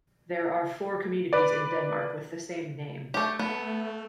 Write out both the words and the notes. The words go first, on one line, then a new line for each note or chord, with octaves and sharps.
There are four communities in Denmark with the same name.
B4 D5
A3 G4
A3 B3